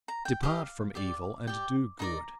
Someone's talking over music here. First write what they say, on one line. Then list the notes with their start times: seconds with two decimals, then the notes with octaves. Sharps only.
Depart from evil, and do good.
0.08 A#5
0.25 G5
0.43 G4 A#4 D#5 F5
0.95 G4 D5
1.47 G4 D5 G5
1.99 D#4 A#4 D5 A#5